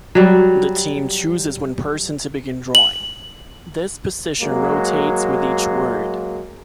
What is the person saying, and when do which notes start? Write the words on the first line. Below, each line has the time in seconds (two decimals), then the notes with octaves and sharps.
The team chooses one person to begin drawing; this position rotates with each word.
0.15 F#3 G3
2.75 F#7
4.40 F#3 G#3 A#3